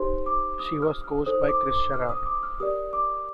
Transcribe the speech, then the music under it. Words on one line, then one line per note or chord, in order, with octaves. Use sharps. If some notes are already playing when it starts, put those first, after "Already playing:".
She was coached by Kris Sherard.
Already playing: D#4 G4 C5 C6
D6
D#6
F6
F6
D#4 A4 C5 D#6
D6
D6
F6
D#6
D6
F6
G4 A#4 D5 D#6
D6